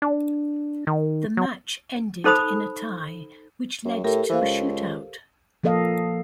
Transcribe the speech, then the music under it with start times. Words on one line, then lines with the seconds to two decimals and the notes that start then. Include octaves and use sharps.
The match ended in a tie which led to a shootout.
0.02 D4
0.87 D#3
1.37 F#3
2.24 D#4 A4 C5 B5 D#6
3.85 F#2
4.04 A2 G4 A4 A#4
4.29 E3 C5 F5
4.41 C#2
5.63 F3 A#3 A4 D#5 F5